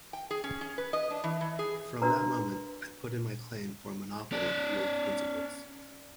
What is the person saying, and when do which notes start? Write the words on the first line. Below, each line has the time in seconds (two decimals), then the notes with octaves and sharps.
From that moment I put in my claim for a monopoly of Whig principles.
0.13 G5
0.31 G#4
0.44 C#4
0.61 C#4
0.78 B4
0.93 D#5
1.11 D4
1.24 E3
1.41 E3
1.59 G#4
2.02 D4 F#4 A#4 B4 A#5
4.32 C#4 D5